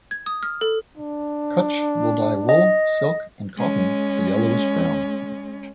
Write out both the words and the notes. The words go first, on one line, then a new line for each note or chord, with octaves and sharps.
Cutch will dye wool, silk, and cotton a yellowish-brown.
G#6
D#6
F6
A4
D4
D#5
G#3 C#4